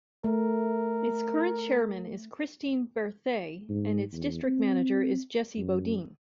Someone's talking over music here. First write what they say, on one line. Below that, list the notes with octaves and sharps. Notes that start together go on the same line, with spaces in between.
Its current chairman is Christine Berthet, and its District Manager is Jesse Bodine.
A3 A#4
G#2
E2
C4
F#2